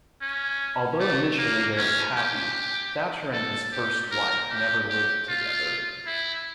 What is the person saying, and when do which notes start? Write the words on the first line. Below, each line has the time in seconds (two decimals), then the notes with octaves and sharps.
Although initially very happy, Thatcher and his first wife never lived together.
0.22 C#4
1.00 A3
1.38 A#3
1.77 C#4
2.16 G4
3.33 A4
3.72 G4
4.11 A#4
4.50 G4
4.89 G4
5.28 F4
6.06 E4